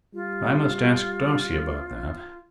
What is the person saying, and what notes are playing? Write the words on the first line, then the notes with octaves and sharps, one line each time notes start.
I must ask Darcy about that.
G3 F4